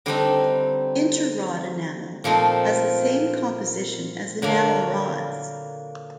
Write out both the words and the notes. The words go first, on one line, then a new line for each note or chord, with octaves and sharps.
Interrod enamel has the same composition as enamel rods.
D3 G3 C4 D#4
A#2 F3 A3 C4 D#4
D3 F#3 A#3